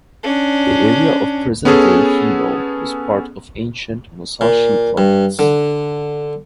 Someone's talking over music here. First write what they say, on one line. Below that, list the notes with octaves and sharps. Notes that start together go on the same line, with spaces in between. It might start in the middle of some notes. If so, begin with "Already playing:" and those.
The area of present-day Hino was part of ancient Musashi Province.
C#4 D4
B3 C#4 G#4 A4
A#2
G2
D3